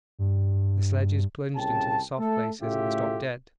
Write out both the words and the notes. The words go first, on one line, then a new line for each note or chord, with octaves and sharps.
The sledges plunged into the soft places and stopped dead.
G2
C2 C#3 G5 A5
A3 A4
A2 C#3 A3 F4 G4 E5